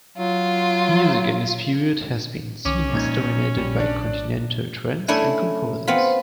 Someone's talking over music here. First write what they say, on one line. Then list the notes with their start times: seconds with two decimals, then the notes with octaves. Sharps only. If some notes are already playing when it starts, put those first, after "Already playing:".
Music in this period has been seen as dominated by continental trends and composers.
0.18 F#3 F4
2.66 C2 D#3 C#4 D6
2.93 A#1 A#2 G#3 A#3 D#4 G#6
3.57 A#1 A#2 G3
3.79 D4 D5
5.08 A3 C#4 D4 E4 G#5
5.87 B3 C4 F4 B5